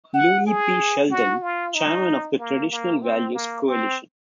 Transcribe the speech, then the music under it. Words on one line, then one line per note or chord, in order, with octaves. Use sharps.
Louis P. Sheldon, chairman of the Traditional Values Coalition.
F#5
G#4
F#4
F4
D#4
A#3
A#3
C4
A#3
C4